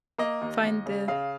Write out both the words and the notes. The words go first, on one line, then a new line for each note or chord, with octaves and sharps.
find the
A#3 D#5
D#2
D#2
C#3
C#3 F5